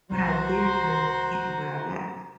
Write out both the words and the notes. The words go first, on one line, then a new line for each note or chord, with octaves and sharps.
what I've been through to get to where I'm at now.
C2 F#4 C5 A#5 C6